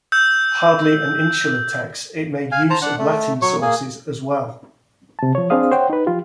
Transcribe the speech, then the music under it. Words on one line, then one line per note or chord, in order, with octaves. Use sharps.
Hardly an insular text, it made use of Latin sources as well.
E6 G6
F5 G#5
C5 A5 A#5
D4 F#5
A3
F#3 C#5 C#6
A#3 G#4
C3 A5
F3 C#5
C4 D4 G#4 C5 F5 D#6
C5 C#5 F#5 G5
D#4 B4
F3 F4 G4